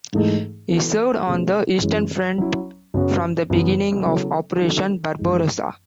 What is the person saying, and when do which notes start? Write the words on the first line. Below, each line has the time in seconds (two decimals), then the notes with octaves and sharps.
He served on the Eastern Front from the beginning of Operation Barbarossa.
0.13 G#2 E3 A3 D#4 G#4
0.69 E3 B3 F#4 A4
1.26 B2 A3 C#4 G#4
1.81 F#2 E3 G#3 C#4
2.38 F#3 C#4 E4
2.94 F#2 C#3 F#3 B3 F#4
3.50 F#2 C#3 E3 B3
4.06 C#3 F#3 B3 E4 A4
4.61 D#3 F#3 C#4 F#4 A4
5.18 F#2 E3 G#3 D#4